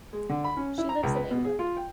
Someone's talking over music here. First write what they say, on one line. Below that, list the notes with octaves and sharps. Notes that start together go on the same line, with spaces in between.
She lives in England.
G#3
D3
B5
C#4
E4
A#5
C#2
B4
B2
G#4
F4
G5